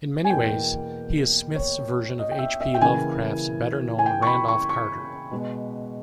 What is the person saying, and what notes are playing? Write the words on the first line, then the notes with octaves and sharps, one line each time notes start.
In many ways, he is Smith's version of H. P. Lovecraft's better-known Randolph Carter.
G#5
E2 B2 A#3 G5
C#5
D#5
G5
E5
E5
G5
C#3 E3 A#3 G#5
G#5
G5
C#6
B5
C#6
C#6
B2 G#3 B3